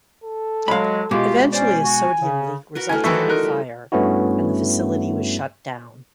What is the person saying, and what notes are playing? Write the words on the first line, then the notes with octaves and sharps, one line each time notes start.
Eventually a sodium leak resulted in a fire, and the facility was shut down.
A4
F#3 G#3 F5 B5
B2 G#3 F4 G4
C#4 C5 D5 G#5
F#4
C#3
F#4 A#4 B4
A3 D4 E4 G#5 F6
D#3 E3 A3 F#4 A4 C5
D#4 A#4 F#6
G3
G2 A3 B3 C#4 E4 F#4